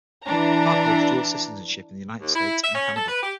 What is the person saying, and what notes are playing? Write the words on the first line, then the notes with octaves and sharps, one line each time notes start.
Park holds dual citizenship in the United States and Canada.
E3 D4 A#5
D#2
E4
E5
C#4
A4
B4
G4